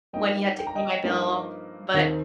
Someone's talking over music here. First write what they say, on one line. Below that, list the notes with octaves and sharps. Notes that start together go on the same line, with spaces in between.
when he had to pay my bill, but
G2 F3 A#3 D#4 D#5 G5
G5
A#5
D#5 G5
G2 F3 A#3 D#4
D#2 D#3 C4 D#4